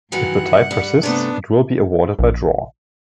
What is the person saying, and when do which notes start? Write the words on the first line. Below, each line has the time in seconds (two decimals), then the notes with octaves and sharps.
If the tie persists, it will be awarded by draw.
0.12 G2 D#3 E3 F#3 F#5
0.71 G3
1.03 C3 A3 B3 D4
2.19 A#1